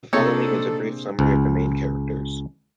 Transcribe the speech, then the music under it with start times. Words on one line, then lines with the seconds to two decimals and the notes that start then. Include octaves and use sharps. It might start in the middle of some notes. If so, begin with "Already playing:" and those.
The following is a brief summary of the main characters.
0.13 C3 A#3 C4 D4 D#4 G#4 A4 C#5
1.19 C#2